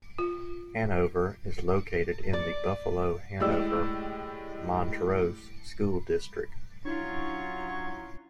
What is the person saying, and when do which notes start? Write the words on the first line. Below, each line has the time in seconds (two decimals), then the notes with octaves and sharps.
Hanover is located in the Buffalo-Hanover-Montrose school district.
0.18 F4
2.33 D5
3.40 A2 G#3 G4 D5 E6
6.85 F#3 C#4 D4 E4 F4 C#5 C#6